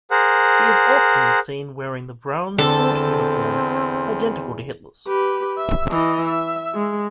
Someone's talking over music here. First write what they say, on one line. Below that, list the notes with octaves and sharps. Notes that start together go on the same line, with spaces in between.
He is often seen wearing the brown short uniform identical to Hitler's.
G#4 A#4 C5 F#5
E2 D3 C4 A4
G4 B4
E5
E3 D#5
E5
G#3